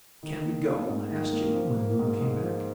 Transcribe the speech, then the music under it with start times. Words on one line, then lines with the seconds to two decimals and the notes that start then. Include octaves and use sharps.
"Can we go?" asked Jimmie, when Lulu came back.
0.23 D#3
0.44 A#3
0.67 F4
0.89 G#2
1.11 D#3
1.33 A#3
1.54 F3
1.76 A#3
1.99 G#2
2.21 G#2
2.43 F3